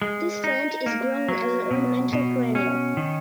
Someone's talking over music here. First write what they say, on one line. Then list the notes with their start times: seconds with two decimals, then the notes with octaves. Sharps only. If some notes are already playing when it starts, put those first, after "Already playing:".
This plant is grown as an ornamental perennial.
0.02 G#3
0.44 D#4
0.86 A#3
1.28 F#3
1.71 B2
2.13 B2
2.55 C#4
2.97 D#3